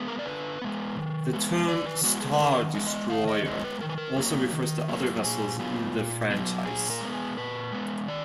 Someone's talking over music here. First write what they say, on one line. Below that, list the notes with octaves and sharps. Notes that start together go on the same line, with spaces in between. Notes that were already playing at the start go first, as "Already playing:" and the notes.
The term "Star Destroyer" also refers to other vessels in the franchise.
Already playing: G#3 B3
A#4
D5
D3 B4
G#3 B3
D#3
G#3 B3
D#3 D5
B4
G#3 B3 F#4
G#4
B4
D#3 A#4
G#3 B3
D#5
D#3 F5
D#5
G#3 B3 D#5
B4
D#3 A#4
B4
A#4
F#3 A#3
D#3
F#3 A#3
A#2 G#4
F#3 B3 F4
A#2
F#3 B3
A#2 G#4
A#4
G#3 B3
G#4
A#2 B4
G#3 B3
D#3 D5